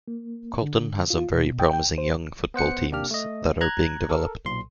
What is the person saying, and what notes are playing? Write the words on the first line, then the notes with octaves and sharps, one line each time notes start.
Colton has some very promising young football teams that are being developed.
A#3
D3
F4
B2
G5
G5
D2
C5
B3 C5 F#5 C#7
C3 A#3 D4 G4 F6
A3 D#5
A#5 F#6 G#6
A4 A#4
B1 A#2 C6